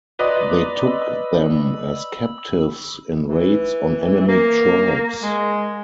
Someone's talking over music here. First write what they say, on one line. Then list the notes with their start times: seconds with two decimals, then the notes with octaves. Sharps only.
They took them as captives in raids on enemy tribes.
0.19 B4 D5 D#5 A#5 C6 D6
0.87 B5 E6
3.27 E3
4.28 A#3
5.22 G#3